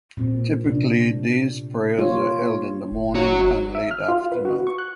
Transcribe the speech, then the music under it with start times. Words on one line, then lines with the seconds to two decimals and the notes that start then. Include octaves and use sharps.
Typically these prayers are held in the morning and late afternoon.
0.17 A#2 C4
0.64 C3 D4
1.98 A#3 F4 C#5
2.92 G1
3.15 F#4 C#5
3.75 E5
3.91 F6
4.08 F4
4.32 B4
4.45 F#4
4.67 C#6
4.78 F#6